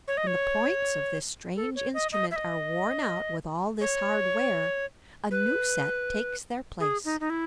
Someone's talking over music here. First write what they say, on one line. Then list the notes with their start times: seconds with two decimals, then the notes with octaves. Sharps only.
When the points of this strange instrument are worn out with all this hard wear, a new set takes their place.
0.08 C#5
0.17 D#5
0.27 C#5
1.57 A4
1.76 C#5
1.94 D#5
2.12 D#5
2.31 E5
2.36 D#5
3.81 C#5
5.31 B4
6.80 G#4
7.05 D#4
7.20 D#4
7.30 E4